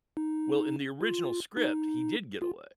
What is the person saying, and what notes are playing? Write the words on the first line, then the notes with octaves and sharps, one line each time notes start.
Well, in the original script, he did get away,
D#4
F4
D#4
F4